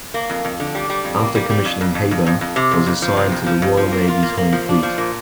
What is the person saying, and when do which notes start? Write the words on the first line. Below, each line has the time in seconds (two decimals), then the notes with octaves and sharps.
After commissioning "Haida" was assigned to the Royal Navy's Home Fleet.
0.14 A#3
0.30 F2
0.45 F2
0.60 D3
0.75 G3
0.90 G3
1.05 F2
1.20 A#3
1.35 G3
1.50 G3
1.65 F2
1.81 F2
1.95 F2
2.11 F2
2.27 F2
2.41 F2
2.56 C3
2.71 F2
2.87 F2
3.02 F3
3.17 C3
3.32 F2
3.46 F3
3.62 F2
3.77 F3
3.92 A#3
4.08 F4
4.23 A#3
4.37 A#3
4.52 F3
4.69 D4
4.83 F3
4.98 A#2